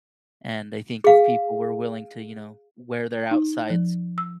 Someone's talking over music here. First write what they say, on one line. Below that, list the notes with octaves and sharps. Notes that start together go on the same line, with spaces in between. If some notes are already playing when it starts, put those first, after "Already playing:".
And I think if people were willing to, you know, wear their outsides
G#4 F5
D#4
F3
E6